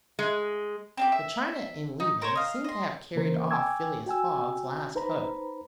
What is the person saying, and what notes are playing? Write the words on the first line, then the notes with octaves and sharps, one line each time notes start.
The China, in leaving, seemed to have carried off Phileas Fogg's last hope.
G#3
C4 D4 G4
E5
D#4
A#4 C5 C#5
D#5 F5
D#5 C6
C#3 E3 A#3 A#4 C5
G5 G#5 C#6 D6 E6 G#6
F#4 G5 G#5 E6
D#4 B4 C5 A#5 B5